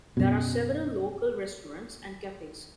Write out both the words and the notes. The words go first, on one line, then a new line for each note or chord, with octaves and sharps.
There are several local restaurants and cafes.
F#2 B2